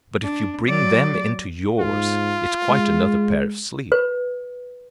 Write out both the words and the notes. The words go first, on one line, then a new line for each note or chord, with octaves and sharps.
But if you bring them into yours it's quite another pair of sleeves.
D4
F#3 D5
G#2 F4
G#3
B4